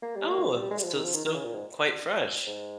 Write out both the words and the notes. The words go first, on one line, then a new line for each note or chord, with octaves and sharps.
Oh, so still quite fresh.
A#3
G3
A#3
F3
G3
G#3
G3
F3
D#3
F3
D#3
D#3
C#3
A#2
G#2
G#2